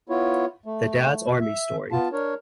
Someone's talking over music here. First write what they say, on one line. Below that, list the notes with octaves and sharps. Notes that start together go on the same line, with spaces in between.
The Dad's Army Story.
B3 E4 F4 C#5
A3
E5
B3 F4 A5
D4 A#4 C#5